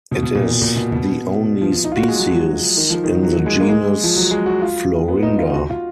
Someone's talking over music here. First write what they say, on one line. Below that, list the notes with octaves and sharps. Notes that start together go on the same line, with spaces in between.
It is the only species in the genus Florinda.
B2
B2
A#2
A#2
B2
B2
F3
D#4
F4
F#4
G#3
F#3
F3
D#3
F3
D#3
F#3
F#3
G#3
A#3
G#3
F3
F#3
G#3
F#4
F4
B3
D#4
F4
F#4
F4